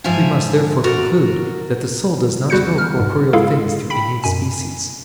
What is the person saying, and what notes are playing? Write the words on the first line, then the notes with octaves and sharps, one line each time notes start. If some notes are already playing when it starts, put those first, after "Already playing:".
We must therefore conclude that the soul does not know corporeal things through innate species.
G#2 F3 E5 F5 G#5
F#4 A#4 D5
E2 G3 F#4 F#6 G6 C#7
F6
C2 G#2
G#3 E4 F4 G#4 A4 F5
G5 B5 B6
F#2 B2 G#5